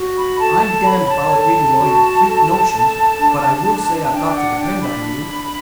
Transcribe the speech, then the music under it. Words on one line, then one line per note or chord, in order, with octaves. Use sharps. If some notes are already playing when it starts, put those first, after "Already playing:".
I'm damned if I'll agree to all your freak notions, but I will say I've got to depend on you.
Already playing: F#4
B5
A4 A5
A5
C#5 B5
A5
A4 A5
F#4
A4
A4
D4
D4
D4 G5
F#5
D4 G5
B5
D4